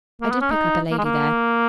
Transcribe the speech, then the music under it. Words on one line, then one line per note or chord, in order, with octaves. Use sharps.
I did pick up a lady there.
A#3
B3
C#4
D#4
A#3
G#3
A#3